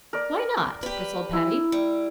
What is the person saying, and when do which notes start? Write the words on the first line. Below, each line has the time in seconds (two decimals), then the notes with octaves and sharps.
"Why not?" bristled Patty.
0.13 A#4 D5
0.83 G4 B4
1.33 E4
1.72 G3